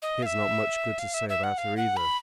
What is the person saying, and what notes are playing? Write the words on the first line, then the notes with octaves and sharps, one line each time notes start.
"He has not much good to say about her either."
D#5
F5
E5
F5
E5
E5
F#5
F5
F#5
B5